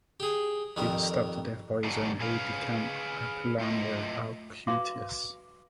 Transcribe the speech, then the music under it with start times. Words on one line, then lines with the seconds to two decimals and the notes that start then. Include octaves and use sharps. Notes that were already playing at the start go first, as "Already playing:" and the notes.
He was stabbed to death by his own aide-de-camp, Apolinario Alcuitas.
0.20 G4 G#4
0.77 F2 D#3 G3 A#4
1.84 D#3 F#3 G3 A3 D#4 G#4
2.21 G#4 B4 F5
3.59 A3 F4 D#5
4.67 F#4 B4 E5 F5 C6 D6